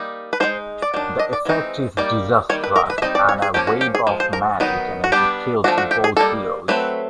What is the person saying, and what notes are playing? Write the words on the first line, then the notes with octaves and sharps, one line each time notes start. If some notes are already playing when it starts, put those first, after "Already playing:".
The effect is disastrous and a wave of magic energy kills both heroes.
Already playing: G3 A#3 D#4
B4
G#3 C4 D#4 C5
D5
D#3 F#3 D4
D#5
D5
E3 G#3 C4 D#4
G3 A#3 D#4 D5
D#3 G3 A#3 C#5
B4
A#4
B4
E5
G3 C4 D#4 D#5
D5
C#5
G#4
F3 A#3 C#4 G4
F#4
G4
G#4
F3 G#3
C5
A#4
D#3 F#3 B3 D#4
F#4
G3 B3 D4 G4
F3 A3 D4 F#4
F#4
G4
G#4
G3 A#3 D#4 A4
F#3 A3 C4 B4